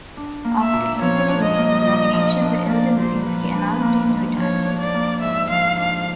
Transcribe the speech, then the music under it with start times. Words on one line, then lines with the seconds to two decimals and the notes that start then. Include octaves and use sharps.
After easily winning the nomination, the elder Lipinski announced his retirement.
0.17 D4
0.45 A#3
0.60 E5
0.73 A#2
1.01 F3 C#5
1.29 D4
1.43 D#5
1.57 A#3
1.86 A#2
2.13 F3
2.41 D4
2.69 A#3 D5
2.98 A#2 C5
3.25 F3 B4
3.54 D4
3.82 A#3
4.09 G#2
4.37 F3 C#5
4.66 D4
4.80 D5
4.94 A#3
5.21 G#2 E5
5.50 F3 F5
5.78 D4 F5